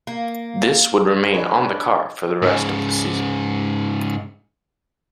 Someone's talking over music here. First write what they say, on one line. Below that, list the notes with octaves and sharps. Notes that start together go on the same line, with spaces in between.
This would remain on the car for the rest of the season.
A#3
D4 G#4 B4 C#5 D#5
G#2 C#3